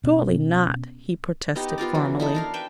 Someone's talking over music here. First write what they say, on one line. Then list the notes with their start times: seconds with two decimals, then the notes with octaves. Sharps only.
'Surely not!' he protested formally.
0.04 B2 C#4
1.56 B3 D#4 G4
1.78 B3 F4 A#4 D5
1.95 E3 F#3
2.20 D#4 E4 A4
2.35 D4 A#4 F5
2.54 B4 E5 G5